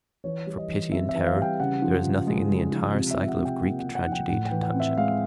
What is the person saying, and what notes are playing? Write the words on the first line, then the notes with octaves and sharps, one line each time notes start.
For 'pity and terror' there is nothing in the entire cycle of Greek tragedy to touch it.
E3 C#5
G3
D#5
E3
C4 E5
E5
E3
F5
G3
G5
C#3 F#5
F3
C#3
G#3
C#3
F3
C3
E5
F3
F#5
C3
G5
A#3 F#5
F#5
C3
F#5
F3 G5
A2 F#5
G5
E3
F#5
C4
E5
G#3 F5